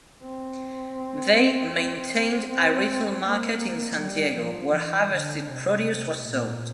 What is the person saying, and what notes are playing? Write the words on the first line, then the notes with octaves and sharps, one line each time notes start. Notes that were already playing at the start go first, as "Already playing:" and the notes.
They maintained a retail market in San Diego where harvested produce was sold.
C4
C4
A#3
G3
F3
E3
D3
C3
A#2